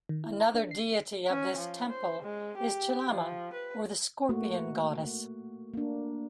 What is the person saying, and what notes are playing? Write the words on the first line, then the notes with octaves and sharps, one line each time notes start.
Another deity of this temple is Chelamma or the scorpion goddess.
D#3
E4
A#5
D4
C7
C#4
F3
C5
G#3
G4
F3
B4
A3 A#3 F#4
A#3 D4